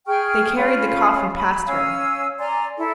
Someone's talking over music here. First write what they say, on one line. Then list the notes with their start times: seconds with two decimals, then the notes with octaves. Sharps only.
They carried the coffin past her.
0.07 G#4 G5 C#6 F6
0.56 C#4 F4 F5 B5
1.36 B5
1.66 C#4 F5 G#5 E6
2.38 D5 G#5 A#5 C6
2.77 E4 A4